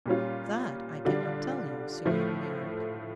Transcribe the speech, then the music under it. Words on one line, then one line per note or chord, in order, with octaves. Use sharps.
"That I cannot tell you, Signor Merrick."
A#2 G3 C#4 F4
D3 G3 D4 F4
A2 F3 A3